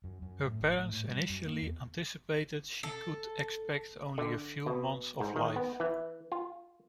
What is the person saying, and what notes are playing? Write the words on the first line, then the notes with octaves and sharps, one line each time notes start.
Her parents initially anticipated she could expect only a few months of life.
F#2
F#2
A2
G#1
A2
A2
G3
F#2
A#3
E2
A4
D3
B2
G#2
D#3
B3
E3
F4